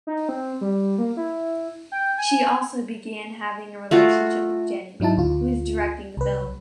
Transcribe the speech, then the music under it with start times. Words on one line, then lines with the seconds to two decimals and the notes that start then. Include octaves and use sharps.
She also began having a relationship with Jenny, who was directing the film.
0.07 D#4
0.29 C4
0.61 G3
0.98 A#3
1.17 E4
1.92 G5
2.18 G#5
3.91 A3 F4 F#4
5.00 G#2 F#3 D#4 E4 A5
5.17 D2 F4
6.17 C2 B4